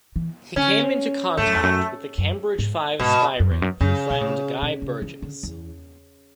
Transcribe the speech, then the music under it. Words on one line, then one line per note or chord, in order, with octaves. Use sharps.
He came into contact with the Cambridge Five spy ring through friend Guy Burgess.
E3
D3 C#4
G#2 A3
F#2
E2
F#2
F#2
G#2
G#2 B2
F#2
E2
F#2
F#2 C#3
B2
A2
B2
C#3
E3
D3
E2